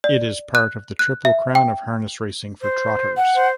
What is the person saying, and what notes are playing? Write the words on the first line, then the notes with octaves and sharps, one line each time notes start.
It is part of the Triple Crown of Harness Racing for Trotters.
D5
F#6
F#6
E5
G5
C5
F#5
C5